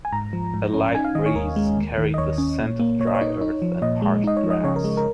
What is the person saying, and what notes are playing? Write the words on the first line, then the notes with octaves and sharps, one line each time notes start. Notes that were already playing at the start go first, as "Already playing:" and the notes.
A light breeze carried the scent of dry earth and parched grass.
G#5
G#2 A#5
F3
G#2
C#4
D#4 G#5
F5
D#3 D#5
C#5
D#2 A#4
G#3
D#2
D#3
D#5
D#2 C#5
C#4
A#2
A#3
A#2 C#5
D#5
C#5
D#4
D#4
F3
A#2 D#5
G#3
D#4 D#5
C#5
F3
D#5
C#3 C#5
A#4
G#3
A#4